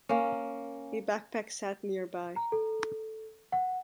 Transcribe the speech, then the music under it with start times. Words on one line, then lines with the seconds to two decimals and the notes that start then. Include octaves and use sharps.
A backpack sat nearby.
0.09 A#3 C#4
2.36 A#5
2.52 A4
3.52 F#5